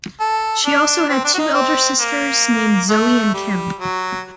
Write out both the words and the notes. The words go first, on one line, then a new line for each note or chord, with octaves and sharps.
She also had two elder sisters named Zoe and Kim.
A4
D4
C4
D4
F#4
D#4
C4
A#3
A3
G3
F#3